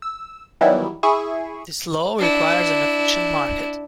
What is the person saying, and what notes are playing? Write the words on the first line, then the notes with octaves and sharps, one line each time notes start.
This law requires an efficient market.
E6
D#3 E3 F#3 G3 B3 E4
E4 G#4 E5 C#6 D#7
D4 E4